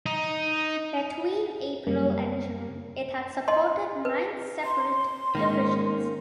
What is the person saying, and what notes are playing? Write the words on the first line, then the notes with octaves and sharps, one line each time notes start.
Between April and June it had supported nine separate divisions.
D#4
F#2 C#3 G3 A#3
D#5 C6
B4
C6
G#2 D#3 A#3 C#4